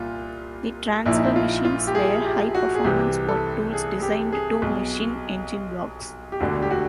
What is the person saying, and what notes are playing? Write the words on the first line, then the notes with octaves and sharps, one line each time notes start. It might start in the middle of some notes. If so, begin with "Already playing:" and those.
The transfer machines were high-performance work tools designed to machine engine blocks.
Already playing: C2 A#2 F4
A#1 A#2 E4
D#4
E4
F4
F4
G4
G#4
G4
F#4
G#4
C2 C3 E3 G4
A4
G#4
G4
G#4
B1 B2
G4
E1 D2 D3 F#4
G4
F#4